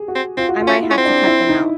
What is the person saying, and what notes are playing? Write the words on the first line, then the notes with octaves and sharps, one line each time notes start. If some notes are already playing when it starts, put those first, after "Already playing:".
I might have to cut them out
Already playing: G4 G#4
F#4
C4
C4 F4
F#4
F4
C#4
E4
C#4
C4
D4
E4
D#4